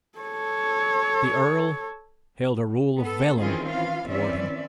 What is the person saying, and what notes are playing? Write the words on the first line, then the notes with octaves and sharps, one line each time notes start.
The earl held a roll of vellum toward him.
A4 C#5
B3 A4
D#3 E3 C4 C#4 F4 G#4
E3 F4 F5
D#3 E3 C4 C#4 D5 E5